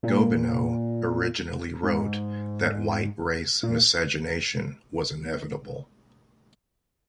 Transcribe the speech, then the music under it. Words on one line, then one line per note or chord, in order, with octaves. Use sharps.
Gobineau originally wrote that white race miscegenation was inevitable.
A#2
G#2
A#2